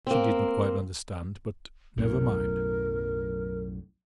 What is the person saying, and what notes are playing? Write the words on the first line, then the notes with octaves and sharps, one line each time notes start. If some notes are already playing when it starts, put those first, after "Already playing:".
She did not quite understand--but never mind.
A#3 C4
B1 F#2 A2 A#4